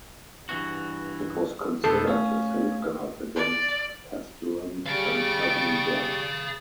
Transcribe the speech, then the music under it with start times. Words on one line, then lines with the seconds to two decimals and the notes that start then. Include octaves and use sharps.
It was considered a safeguard against pestilence and sudden death.
0.49 G2 E3 F#4
1.84 F2 B2 B3 D4 A4 C5
2.07 A3 C#4 F5
3.36 D5
4.87 G3 G#4 F5 C#6 A6 D7